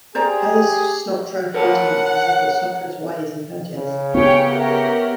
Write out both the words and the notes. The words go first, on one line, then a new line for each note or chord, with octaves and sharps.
High lists Snotra thirteenth, and says that Snotra is wise and courteous.
G4 G#4 C5 D5 A#5
A#4 C#5 F#5 A5
C#3
B3 G4 G#4 C#5 G5
G4 A#4 C#5 E5 F#5